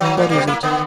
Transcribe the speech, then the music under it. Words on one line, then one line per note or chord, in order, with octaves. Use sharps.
"What is it?"
D#3 F#3
A2
B2 G3 A#3
A#3 E4
D3 B3